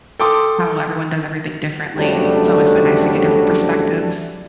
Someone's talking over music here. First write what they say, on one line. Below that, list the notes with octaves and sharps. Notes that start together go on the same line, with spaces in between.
how everyone does everything differently. It's always so nice to get different perspectives.
A4 G5 C6 D6 D#6
F2 C#3 F#3 G3 A3 D4